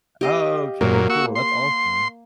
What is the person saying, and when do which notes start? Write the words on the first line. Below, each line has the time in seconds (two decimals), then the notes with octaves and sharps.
Oh, okay, cool. That's awesome.
0.21 G4 D#5 F5
0.81 F#2 A#2 A#3
1.10 F#4 C#6 E6
1.35 C6